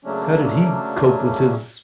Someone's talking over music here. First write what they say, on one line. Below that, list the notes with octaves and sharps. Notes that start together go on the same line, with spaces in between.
how did he cope with his
C#3 F#3 A3 A#3 C#4 D4